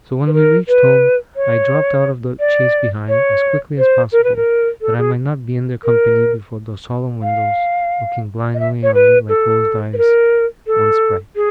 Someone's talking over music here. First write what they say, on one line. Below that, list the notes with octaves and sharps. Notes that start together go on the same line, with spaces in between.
So, when we reached home, I dropped out of the chaise behind, as quickly as possible, that I might not be in their company before those solemn windows, looking blindly on me like closed eyes once bright.
B4
A#4
B4
C#5
D5
C#5
C5
A#4
B4
A#4
A4
G#4
A#4
F5
D#5
E5
C#5
B4
A4
B4
A#4
A4
G#4